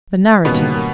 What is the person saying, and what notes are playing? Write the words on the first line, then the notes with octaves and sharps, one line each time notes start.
The Narrative.
G#2 B2 D#3 G3 A#3 B3 C#4